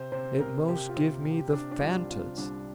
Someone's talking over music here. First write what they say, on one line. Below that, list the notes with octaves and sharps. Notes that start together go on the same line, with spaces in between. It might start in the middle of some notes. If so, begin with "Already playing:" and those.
It most give me the fan-tods.
Already playing: C3 C5
C3 C5
C3 A#4
C3 G4
F4
C3
C3
G4
C3 D4
D4
C2 F4
C3 F4
C2 D4